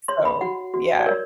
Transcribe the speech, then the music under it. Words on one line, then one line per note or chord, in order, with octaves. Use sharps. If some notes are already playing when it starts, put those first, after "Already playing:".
“So, yeah,
C#5 C6
B5
F#4 F#5
F#4
D5
A#4 C#5